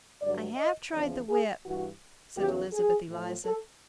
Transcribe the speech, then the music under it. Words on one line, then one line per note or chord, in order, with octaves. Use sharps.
"I have tried the whip," said Elizabeth Eliza.
G2 D3 F#3 D5
D#5
E2 C#3 F3 D5
G#4
G2 E3 F#4
E2 C#3 F#3 G4
G#4
A2 F3
A4